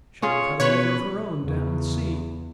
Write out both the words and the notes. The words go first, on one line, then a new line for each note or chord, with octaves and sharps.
She might have had a lover of her own down in the sea.
C#4 F4 G#4 C#5
B2 B4 C#5
E2 C#3